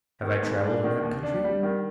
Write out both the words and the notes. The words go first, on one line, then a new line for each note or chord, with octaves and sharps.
Have I travelled in that country?
D#3
G#2
D4
D#3
D#2
D4
G3
D#3